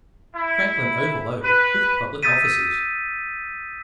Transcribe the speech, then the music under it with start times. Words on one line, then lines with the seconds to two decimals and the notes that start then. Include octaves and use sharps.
Franklin overloaded with public Offices.
0.35 E4
1.43 B4
2.23 D#6 E6 G6 A6 B6 D#7